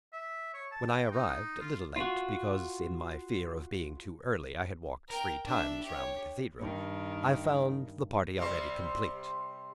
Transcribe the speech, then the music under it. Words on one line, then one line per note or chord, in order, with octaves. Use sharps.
When I arrived, a little late, because in my fear of being too early I had walked three times round the cathedral, I found the party already complete.
E5
C#5
A5
G5
D#4
F4
F4 F#4
A#4 G5
D4 E5
G4 C#5
G2 D#3
C3 G3 C4